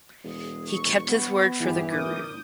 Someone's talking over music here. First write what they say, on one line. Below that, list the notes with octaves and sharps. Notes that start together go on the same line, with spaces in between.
He kept his word for the guru.
E1 G#4
C#6
B3
G1 E2 E3 G4 G#4
A#4 D6 D#6 G6